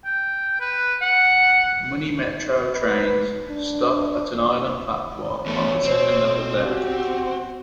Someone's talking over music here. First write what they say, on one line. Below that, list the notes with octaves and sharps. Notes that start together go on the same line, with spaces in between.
Muni Metro trains stop at an island platform on the second level down.
G5
B4
F#5
B4
D4
E2 A3 C#5
B2 C4
F#4 G4